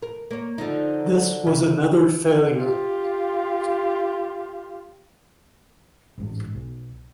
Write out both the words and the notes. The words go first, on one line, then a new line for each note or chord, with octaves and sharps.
This was another failure.
A#4
A#3 C#5
D3 F3 D#4
C#3
F4 G4
A1 G#2
B1